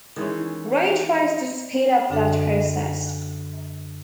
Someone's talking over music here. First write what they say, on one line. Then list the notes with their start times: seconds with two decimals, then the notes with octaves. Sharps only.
Ray tries to speed up that process.
0.16 D#3 E3 G#3 C#4
2.09 F#2 D3 D4 A4 G5